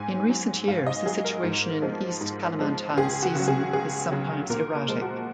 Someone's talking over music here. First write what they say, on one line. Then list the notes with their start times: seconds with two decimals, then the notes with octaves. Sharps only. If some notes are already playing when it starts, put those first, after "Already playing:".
In recent years, the situation in East Kalimantan season is sometimes erratic.
Already playing: G#2 G#5
0.29 F#3
0.68 G#2 F5
0.87 D#5
1.06 F#3 G#4
1.25 A#4
1.43 G#2
1.82 F3 G#3
2.21 G#2
2.59 F3 G#3
2.97 C#2 G#4
3.23 F#4
3.35 C#3 F#3
3.48 G#4
3.73 C#2 G#4
4.11 C#3 F#3
4.50 A#2 A#4
4.75 A#4
4.88 F3 G#3
5.02 F#4